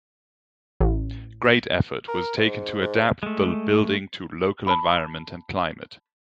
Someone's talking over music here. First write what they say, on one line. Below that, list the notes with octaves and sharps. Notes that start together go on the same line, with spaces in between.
Great effort was taken to adapt the building to local environment and climate.
A1
A#4
G#2
G#2
G#3 A3
A5 B5